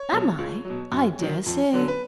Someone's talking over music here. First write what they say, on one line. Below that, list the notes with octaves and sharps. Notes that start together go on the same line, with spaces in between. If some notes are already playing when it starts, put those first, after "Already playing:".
'Am I? I dare say.
Already playing: C#5
B2 F#3
C#2
F#3
B2
F#2
D#3 F#3
F2
D3 F#3
B4